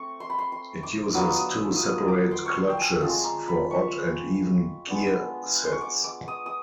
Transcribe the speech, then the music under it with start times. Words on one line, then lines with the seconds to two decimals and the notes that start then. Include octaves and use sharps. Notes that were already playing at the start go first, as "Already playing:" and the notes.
It uses two separate clutches for odd and even gear sets.
Already playing: A3 C4 C#6
0.20 C6
0.30 B5
0.39 C6
0.52 C6
0.83 D6
1.14 F#3 B3 D4 F4 D#6
1.37 D#6
1.45 E6
1.76 D#6
2.08 D6
2.31 C6
2.46 C#6
2.54 C6
2.70 G5
2.77 G#5
3.01 G#3 C4 F4 A5
3.24 A#5
3.48 B5
3.71 C#6
4.87 G#3 B3 D4
5.64 C6
5.72 C#6
5.81 D6
6.04 D6
6.28 D#6
6.46 D#6